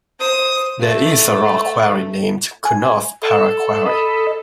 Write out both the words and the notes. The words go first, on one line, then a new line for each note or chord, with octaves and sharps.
There is a rock quarry named "Kunnoth Para Quarry".
C5 D#6
A3
G#5
A4
D#5 B5